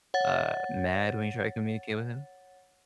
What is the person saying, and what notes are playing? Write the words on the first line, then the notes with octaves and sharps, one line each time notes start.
uh, mad when you try to communicate with him?
C#5 F#5 A6